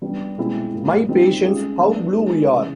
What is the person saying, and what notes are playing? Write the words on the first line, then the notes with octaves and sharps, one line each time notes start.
My patience, how blue we are!
G3 B3 D4
B2 G#3 C4 E4
G#2 F3 A#3
G3 C4 D#4 G4
G#3 C#4 F4 G#4
G3 B3 D4
G#3 B3 D#4 G4
C#3 E3